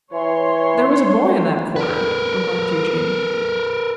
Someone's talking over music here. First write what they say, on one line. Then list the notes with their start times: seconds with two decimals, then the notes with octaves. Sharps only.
'There was a boy in that quarter,' remarked Eugene.
0.13 E3 C#5 C6
1.76 A#4 B4